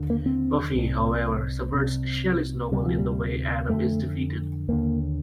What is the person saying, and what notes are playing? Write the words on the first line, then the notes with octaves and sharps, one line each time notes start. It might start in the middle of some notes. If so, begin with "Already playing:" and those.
"Buffy", however, subverts Shelley's novel in the way Adam is defeated.
Already playing: D#2 D3
A#3
C4
C2 C3
C2 C3
D2 C3 G3
F3
G3
F2 D3 A3
D#2 D3 A#3